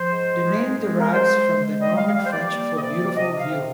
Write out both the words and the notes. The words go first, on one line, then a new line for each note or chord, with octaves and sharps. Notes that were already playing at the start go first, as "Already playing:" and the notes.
The name derives from the Norman-French for "beautiful view".
Already playing: F3 C5
G#2
G#3
G#3
A#4
G#3 C5
G#3
G3 D#5
F5
G3 F5
C5
D5
A#3 D5
D#5
C3 D5
D5
C3 D#5
F5
C3